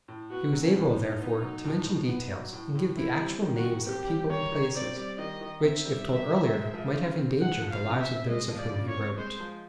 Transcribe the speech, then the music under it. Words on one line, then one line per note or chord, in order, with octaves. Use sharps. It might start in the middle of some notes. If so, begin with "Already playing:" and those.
He was able, therefore, to mention details, and give the actual names of people and places, which, if told earlier, might have endangered the lives of those of whom he wrote.
A2
B3 F#4
F#3
C#4
A2
D#4
A2
B3
F#3
A2
A2
B3
F#3
A2
A2
C4 E4
G3
D#3
F#4
D#3
C4 G4
G3
D#3 C#5
D#3
C4 D5
G3
D#3 D#5
D#3
C4 E5
G3
D#3
D#3
G#3
F3
C#3
C4
G#3 F#5
F3
F5
C#3
E5
C4
G#3 D#5
F3
D5
C#3
C#5
C4
G#3 C5
F3